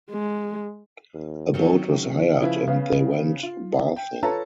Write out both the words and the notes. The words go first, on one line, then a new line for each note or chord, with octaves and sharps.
A boat was hired, and they went bathing.
G#3
D#2
D#3 F#3 C4
C#3
C#3 F3 E4 B4
C#3 B3 F5
F4
G5
F4 A4 B4 C#5 A5 A#5